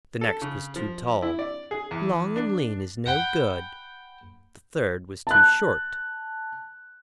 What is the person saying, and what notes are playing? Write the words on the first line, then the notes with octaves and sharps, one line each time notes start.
The next was too tall. 'Long and lean is no good!' The third was too short.
A4
C#3
F3
E4
D5
G#4
E2
D4
F#5 G5 B5
A5 F#6